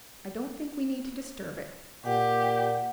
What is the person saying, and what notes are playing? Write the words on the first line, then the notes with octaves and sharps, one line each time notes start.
I don't think we need to disturb it.
A#2 G4 F#5